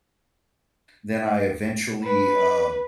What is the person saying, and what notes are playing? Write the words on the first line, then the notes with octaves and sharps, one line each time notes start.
then I eventually, um,
B4